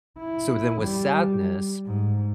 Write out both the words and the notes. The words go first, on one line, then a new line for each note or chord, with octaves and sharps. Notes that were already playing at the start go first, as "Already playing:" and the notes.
so then with sadness,
E4
G3
G#2